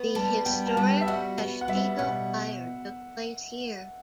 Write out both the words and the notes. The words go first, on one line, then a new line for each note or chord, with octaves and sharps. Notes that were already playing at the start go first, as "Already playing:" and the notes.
The historic Peshtigo Fire took place here.
Already playing: B3
G3 A5
B3 G5
A5
G3
G5
E5
F#4 F#5
B3
F#5
G3 E5
B2 F#5